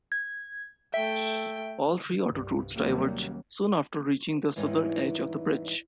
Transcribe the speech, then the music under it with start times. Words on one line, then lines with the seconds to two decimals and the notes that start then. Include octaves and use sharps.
All three autoroutes diverge soon after reaching the southern edge of the bridge.
0.12 G#6
0.94 A3 E5 G5
2.27 C2 G2
2.75 D#2 C3 F#3 G3 A#3 C#4
4.56 E2 G#2 E3 G3 C#4 D#4